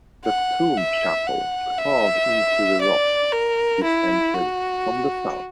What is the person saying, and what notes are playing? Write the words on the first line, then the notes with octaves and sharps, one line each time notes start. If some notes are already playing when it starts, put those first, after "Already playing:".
The tomb chapel carved into the rock is entered from the south.
F#5
E5
F#5
E5
D5
A#4
E4
F#4